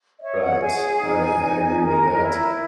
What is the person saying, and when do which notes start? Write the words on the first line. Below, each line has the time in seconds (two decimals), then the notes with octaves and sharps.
Right, I I agree with that,
0.18 D#5
0.21 C#5 E5
0.41 F#5
0.60 G#4 G#5
0.80 G#5
1.00 D#4
1.39 D#4
1.79 A#4
2.18 E4